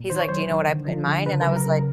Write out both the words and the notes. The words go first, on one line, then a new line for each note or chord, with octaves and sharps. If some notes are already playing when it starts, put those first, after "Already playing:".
He's like, "Do you know what I put in mine?" And I was like
Already playing: A#2
D#3 C5
C#5
F#3 C5
D#3
D3
F3
D3
C#3 B4
A#4
F#3
A#4
C#3 A#4